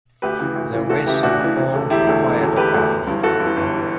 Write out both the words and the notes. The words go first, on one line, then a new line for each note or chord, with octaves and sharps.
The West Saint Paul Fire Dept.
D2 G4 B4
C#3 E3
D2
C#3 E3
D2 F#4 A4
C#3 E3 E4 G4
D2 D4 F#4
C#3 E3
E1
D2 D3
E1 E4 G4
D2 D3
E1
D2 D3
E1 G4 B4
D2 D3
G1
G2 E3
G1 F#4 A4
G2
E3
G1
E3